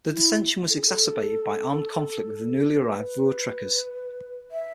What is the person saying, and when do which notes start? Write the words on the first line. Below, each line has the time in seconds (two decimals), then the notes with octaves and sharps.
Their dissension was exacerbated by armed conflict with the newly arrived Voortrekkers.
0.11 E4
0.70 A4
0.76 G#4
0.84 A4
2.75 B4
4.51 E5